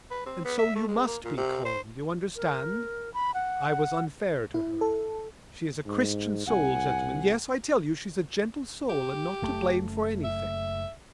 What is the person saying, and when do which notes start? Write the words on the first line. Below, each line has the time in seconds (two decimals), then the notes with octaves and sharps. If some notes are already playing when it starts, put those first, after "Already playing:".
And so you must be calm, do you understand? I was unfair to her; she is a Christian soul, gentlemen, yes, I tell you, she's a gentle soul, and not to blame for anything.
0.11 B4
0.26 C4
0.45 B3
0.59 E5
0.75 A3
0.88 G#3
1.06 A#3
1.24 A#2
1.37 C3
1.65 C5
2.36 A#4
3.14 B5
3.34 F#5
4.54 E4
4.81 A4
5.86 G#2
6.47 C2 F#5 G#5
8.89 G4
9.42 F#1 A3
10.24 E5